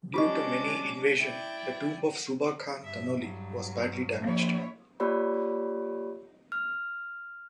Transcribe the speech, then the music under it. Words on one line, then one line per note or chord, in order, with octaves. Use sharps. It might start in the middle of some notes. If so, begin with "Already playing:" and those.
Due to many invasion the tomb of Suba Khan Tanoli was badly damaged.
G#3 C#4 D4 F4 G4 D#5 D6
E4 D5 G5
G2 E5
G2 F#3
F3 A#3 E4 C#5
A#3 F4 G4 C#5 D5 B5
F6